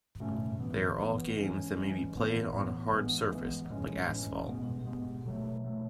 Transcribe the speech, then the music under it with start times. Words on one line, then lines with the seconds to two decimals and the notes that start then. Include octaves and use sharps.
They are all games that may be played on a hard surface, like asphalt.
0.20 B2 A3 C#4
0.59 E3 B3
0.98 E3 B3
1.37 E3 G#3 C#4
1.76 E3 G#3 C#4
2.15 A2 E3 B3
2.53 A2 E3 B3
2.92 E3 G#3 B3
3.31 E3 G#3 B3
3.70 A2 E3 G#3 C#4
4.09 A2 E3 G#3 C#4
4.48 B2 G#3 B3
4.87 B2 G#3 B3
5.26 B2 F#3 A3
5.64 B2 F#3 A3